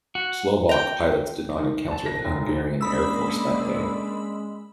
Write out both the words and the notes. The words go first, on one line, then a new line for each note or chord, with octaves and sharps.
Slovak pilots did not encounter the Hungarian Air Force that day.
F#4
G5 A#5
D#3
A5
A#6
F1
D#2
G#3 A#3 C#4 D4 B5 D#6 E6